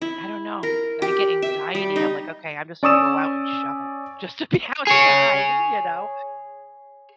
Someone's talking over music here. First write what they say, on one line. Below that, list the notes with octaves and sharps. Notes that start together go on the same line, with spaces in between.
I don't know, I get anxiety. I'm like, "Okay, I'm just gonna go out and shovel just to be outside." You know,
E4
A#4
G4
E5
G3
D#4
C#4 D5 C#6 D#6 E6 E7
G#4 C#5